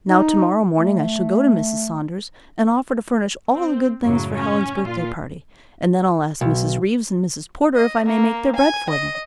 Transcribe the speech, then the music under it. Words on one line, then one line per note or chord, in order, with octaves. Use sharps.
Now, tomorrow morning I shall go to Mrs. Saunders and offer to furnish all the good things for Helen's birthday party, and then I'll ask Mrs. Reeves and Mrs. Porter if I may make their bread for them.
D#4
A3
C4
F#2 A2 C#3 F#3
C#4
A#2 F4
B1
D#5
A#3
G#5
D#5